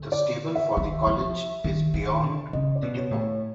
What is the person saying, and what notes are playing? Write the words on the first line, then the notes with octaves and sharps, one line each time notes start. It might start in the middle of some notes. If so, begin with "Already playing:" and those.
The stable for the college is beyond the depot.
Already playing: D3
D5
E5
D#3
F3
D#3
D#3
D3
C#3 D#5
D5
B2
C#5
A2
C#5